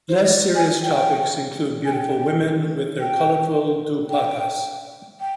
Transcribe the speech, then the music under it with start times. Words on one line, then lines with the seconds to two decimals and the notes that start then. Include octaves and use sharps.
Less serious topics include beautiful women with their colourful duppattas.
0.09 C5
0.23 D#5
0.27 D5
0.55 G#5
0.83 G5
1.85 G#5
1.92 G5
3.01 G5
4.10 G5
5.20 G5